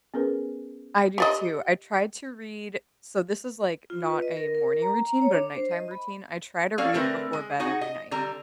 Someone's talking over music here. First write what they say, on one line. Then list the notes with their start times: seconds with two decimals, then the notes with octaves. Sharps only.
I do too, I tried to read so, this is, like, not a morning routine, but a nighttime routine, I try to read before bed every night.
0.14 B3 C#4 G#4 A#4 B4
1.18 G4 D5 D#5
3.90 F4
4.10 B4
4.22 D#5
4.37 A#4
4.55 A#4
4.82 A#5
5.07 A#5
5.22 C#5
5.34 D4
5.55 C5
5.71 D#5
5.91 B5
6.78 A#3 C#4 A4 D5 F5
6.94 D3 A3 C4 A#4 B4
7.33 G#3
7.60 D#4 F#4 G#4 F#5
7.81 D#5
8.11 D3 G3 A#5